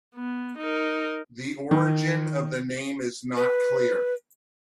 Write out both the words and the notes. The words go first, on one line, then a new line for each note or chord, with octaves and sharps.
The origin of the name is not clear.
B3
D#4 A#4
D#3
B4